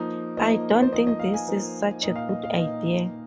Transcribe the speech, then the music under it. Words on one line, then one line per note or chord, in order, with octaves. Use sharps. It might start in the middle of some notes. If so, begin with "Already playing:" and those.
I don't think this is such a good idea.
Already playing: F3 A#3 D#4
F3 A#3 D#4 D#5
C5
F3 A#3 D#4 D#5
D#5
F5
G#5
F3 A#3 D#4
A#2 A#3 D#4 D#5
F5
D#5
F5
A#2 A#3 D#4 D#5